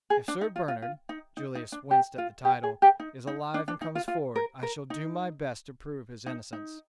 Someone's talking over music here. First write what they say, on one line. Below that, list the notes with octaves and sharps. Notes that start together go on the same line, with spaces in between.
"If Sir Bernard"--Julius winced at the title--"is alive and comes forward, I shall do my best to prove his innocence."
G#4
D4
D#4
F4
F4
F4
D#4
D#4
D#4
D4
G4
F4
G4
G#4
G4
D#4
D#4
D4
D4
D#4
F4
F4
A#4
A#4
D#4
D#4
D#4